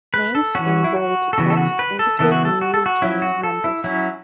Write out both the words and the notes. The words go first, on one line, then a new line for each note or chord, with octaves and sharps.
Names in bold text indicate newly joined members.
B4
A4
E3 C#4 F#4
E4
F#4
A4
C#3 E3 B3 F#4
A4
F#4
B4
A4
C#3 E3 B3 A4
F#4
A4
F#4
A4
F#4
F#3 C#4 E4
F#4
A4
E4
F#3 C#4 E4